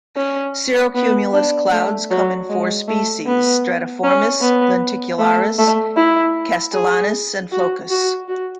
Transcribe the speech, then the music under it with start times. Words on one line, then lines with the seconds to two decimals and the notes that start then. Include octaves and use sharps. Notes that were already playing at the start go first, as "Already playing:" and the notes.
Cirrocumulus clouds come in four species: "stratiformis", "lenticularis", "castellanus", and "floccus".
0.17 C#4
0.95 B3
1.33 D4
1.72 A3
2.11 F#3
2.49 G#3
2.88 A3
3.27 B3
4.04 C#4
4.42 B3
5.19 A3
5.59 A3
5.96 E4
6.73 G#4
7.52 F#4
7.90 F#4
8.28 F#4